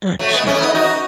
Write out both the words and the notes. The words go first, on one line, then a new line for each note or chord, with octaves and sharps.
Ah, jeez.
F#3 A3
G#3 B3
A3 C#4
E4
B3 D#4
D#4 F#4